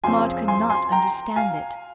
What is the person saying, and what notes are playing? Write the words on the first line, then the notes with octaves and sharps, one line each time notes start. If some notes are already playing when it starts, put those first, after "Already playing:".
Maud could not understand it.
F2 C#3 F3 C4 G#5 C6
G#5 C6
G#5 C6
G5 A#5
F5 G#5